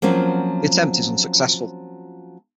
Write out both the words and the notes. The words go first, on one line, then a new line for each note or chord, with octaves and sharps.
The attempt is unsuccessful.
F3 F#3 A#3 C4 C#4 F4